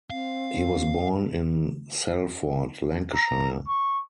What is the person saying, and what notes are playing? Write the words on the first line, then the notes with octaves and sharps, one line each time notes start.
He was born in Salford, Lancashire.
C4 F5
A#5
C#6